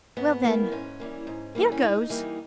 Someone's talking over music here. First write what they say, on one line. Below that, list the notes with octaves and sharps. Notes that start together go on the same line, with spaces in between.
"Well, then--here goes!"
G#2 B3
E3 G3 A#3
G#2 C#4
E3 G3 A#3
G#2
E3 G3 A#3
C#4
G#2 D#4
E3 G3 A#3